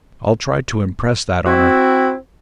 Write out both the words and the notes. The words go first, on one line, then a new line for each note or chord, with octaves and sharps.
I'll try to impress that on her.
C4 E4 F#4